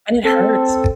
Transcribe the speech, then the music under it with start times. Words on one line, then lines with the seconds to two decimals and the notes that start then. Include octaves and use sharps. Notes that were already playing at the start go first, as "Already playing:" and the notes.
and it hurts.
0.24 C4 A4